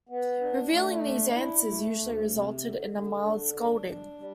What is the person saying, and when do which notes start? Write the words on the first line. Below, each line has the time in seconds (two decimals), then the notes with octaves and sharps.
Revealing these answers usually resulted in a mild scolding.
0.09 B3
0.40 D4
0.72 A3
1.04 D4
1.35 E4
1.66 A3
1.98 D2
2.30 C3
2.61 D3
2.93 D3
3.24 D4
3.56 D4
3.87 D4
4.19 G3